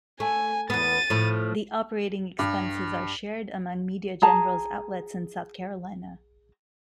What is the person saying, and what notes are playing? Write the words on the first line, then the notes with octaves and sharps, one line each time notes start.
The operating expenses are shared among Media General's outlets in South Carolina.
A3 G#5
E2 B3 A6 D#7
A2 F3 E4
G2
G#4 A5 A#5